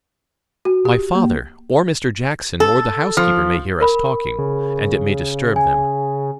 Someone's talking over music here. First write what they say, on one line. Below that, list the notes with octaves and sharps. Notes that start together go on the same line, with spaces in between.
My father, or Mr. Jackson, or the housekeeper, may hear us talking, and it may disturb them.
F#4
G4
A#3
A4
F3
A#4 B5
C#3
G#5